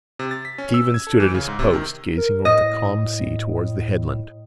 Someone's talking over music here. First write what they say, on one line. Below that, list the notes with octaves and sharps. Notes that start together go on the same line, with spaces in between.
Stephen stood at his post, gazing over the calm sea towards the headland.
C3
A6
B6
C#4
E6
G#6
A4
E3
C#3
G#2
C3
D#3
A#4
A2 D#5